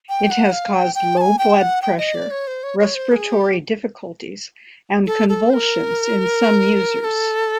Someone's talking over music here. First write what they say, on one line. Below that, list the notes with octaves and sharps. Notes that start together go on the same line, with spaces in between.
It has caused low blood pressure, respiratory difficulties, and convulsions in some users.
G5
F#5
F5
G5
G5
A5
G#5
G5
F#5
G5
D#5
D5
C#5
C5
C#5
C#5
C5
A4
G#4
G4
A4
A4
C5
A#4
A#4
A4